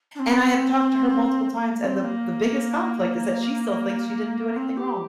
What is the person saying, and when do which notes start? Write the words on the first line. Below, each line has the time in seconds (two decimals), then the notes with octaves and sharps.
and I have talked to her multiple times, and the the biggest conflict is that she still thinks she didn't do anything wrong.
0.15 D4
0.19 C4
1.62 A#3
1.83 C4
2.04 A#3
4.56 C4
4.77 G4